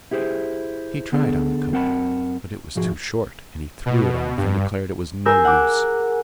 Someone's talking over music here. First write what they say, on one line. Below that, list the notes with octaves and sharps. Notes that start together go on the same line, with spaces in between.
He tried on the coat, but it was too short, and he threw it off, and declared it was no use.
E4 G4 G#4 C5
D3 B3 G#4 A4
F#2 C4 A#4 F#5 A5 B5
B1 G#2 F3 F#4 G#4
B2
G2
G#4 A#4 E6 G6
F#5 D6